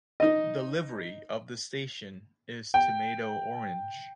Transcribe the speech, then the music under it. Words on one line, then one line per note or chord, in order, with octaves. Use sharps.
The livery of the station is tomato orange.
D#4 D#5
G5